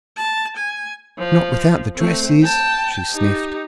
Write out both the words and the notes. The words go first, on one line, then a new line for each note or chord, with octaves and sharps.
"Not without the dresses," she sniffed.
A5
G#5
F3
A3 C4
G5 A5
D#4 G4